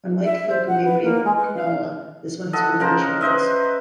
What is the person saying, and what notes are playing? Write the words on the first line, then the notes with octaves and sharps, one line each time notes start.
Unlike the Gumebri of Gnawa, this one has wooden tuners.
E5
C5
F#5
B4
A#3
G#3
B4
F5
A4 D#5 F#5
C#3 A#4 C5
B4 C5 D#5 E5